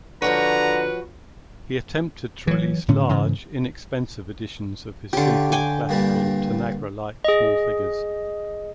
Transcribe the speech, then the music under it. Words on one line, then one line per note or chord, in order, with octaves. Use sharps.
He attempted to release large, inexpensive editions of his simple, classical, Tanagra-like small figures.
D3 F3 F#4 B4 C#5 A#5
E3 F#3
A2 D3 C#4
G#2 C#3 E3
D3 C#4 F4 G4
G5 G#5 D6
G2 A#2 G3
G#4 D#5